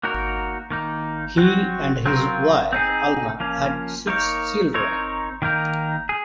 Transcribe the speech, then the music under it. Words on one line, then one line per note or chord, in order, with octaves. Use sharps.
He and his wife Alma had six children.
A#3 D#4 F#4 A#4 C#5
D#3 A#3 D#4
F#3 C4 F#4
F#3 C4 F4 A#4
C4 D#4 G#4
F3 A#3 C#4
A#3 D#4 A#4 C#5
C4 D#4 A#4 C#5
D#3 A#3 D#4 A#4
G#4